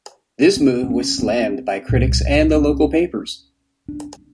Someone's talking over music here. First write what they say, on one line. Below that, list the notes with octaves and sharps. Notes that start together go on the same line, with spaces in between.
This move was slammed by critics and the local papers.
C4
C4
C#4
C#4
C4
C2 A#2
C#4
D4